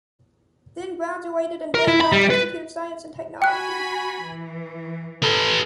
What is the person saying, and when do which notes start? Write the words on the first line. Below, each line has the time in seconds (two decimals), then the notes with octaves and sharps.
Then graduated in Daejeon Institute of Science and Technology.
1.74 A#4
1.88 E4
2.01 B5
2.12 G3
2.30 B4
3.42 F#4 G5 G#5 B5 F#6
4.23 E3
5.23 A4 B4